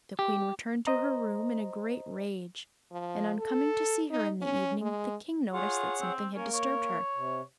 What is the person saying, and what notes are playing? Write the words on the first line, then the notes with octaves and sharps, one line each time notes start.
The Queen returned to her room in a great rage; and on coming to see her in the evening, the King noticed that something had disturbed her.
G4
C5 D#5 A#5
F3
A4
D#4
C#4
G#3
F4 G#4 C#5 F#5
C4
A#3 C#4 A#4
C#5
C3